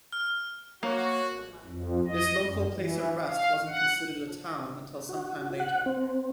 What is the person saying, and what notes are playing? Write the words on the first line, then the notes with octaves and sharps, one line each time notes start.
This local place of rest wasn't considered a town until some time later.
F6
A#3 F#4 C#5
F2
D#5
F#2
E3
F5
F#5
F#4
F#5
C4